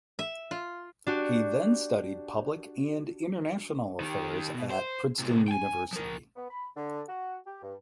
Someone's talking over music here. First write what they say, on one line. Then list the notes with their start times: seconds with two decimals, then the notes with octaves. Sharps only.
He then studied public and international affairs at Princeton University.
0.19 E5
0.51 F4
1.07 D4 F#4 G4
4.00 D#3 G4
4.53 B2
4.70 C5
5.19 A2 C3
5.48 G5 G#5
5.93 F3 A#4
6.36 B3
6.49 B5
6.76 D3
7.08 F#4
7.46 G4
7.62 G2